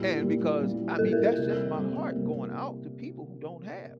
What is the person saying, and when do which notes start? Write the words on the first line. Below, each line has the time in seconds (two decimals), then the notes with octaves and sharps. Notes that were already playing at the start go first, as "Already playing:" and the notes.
And because, I mean, that's just my heart going out to people who don't have.
Already playing: A#2 G3 A#3 E4 G4
0.21 A#2 G3 A#3 E4 G4
0.60 A#2 G3 A#3 E4 G4
0.99 A#2 G3 A#3 E4 G4 A4
1.12 A#4
1.26 A4
1.38 C3 G3 A#3
1.77 C3 G3 A#3
2.16 C3 G3 A#3